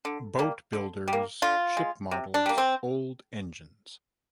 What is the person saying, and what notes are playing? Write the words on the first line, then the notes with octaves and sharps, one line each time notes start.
Boat builders, ship models, old engines.
D3
G3 A#3
D3
G3
A#3
D3 F4
G#3
C3
D4
G3 A#3
C4